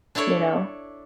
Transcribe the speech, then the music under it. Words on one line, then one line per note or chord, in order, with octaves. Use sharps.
you know?
D4 E4 A4 C#5 D5